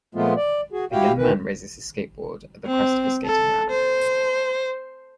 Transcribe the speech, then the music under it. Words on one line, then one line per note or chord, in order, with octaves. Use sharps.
A young man raises his skateboard at the crest of a skating ramp.
A#2 F3 G#3 A3 B3 F4
D5
F#4 G#4
E4 F#4 G4 F5 G5
D2 D#3 E3 B4
C4
A4
C5